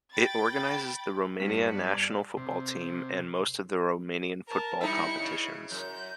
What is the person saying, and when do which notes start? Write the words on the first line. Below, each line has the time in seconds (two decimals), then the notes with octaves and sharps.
It organizes the Romania national football team and most of the Romanian football competitions.
0.13 G5 B5 A6
1.40 G2 B3 D#4 B6
1.74 D5
2.37 C3
4.47 A#4 A5
4.81 G3 D#4 E4 E5 C#7
5.19 C#3
5.71 F#2 G6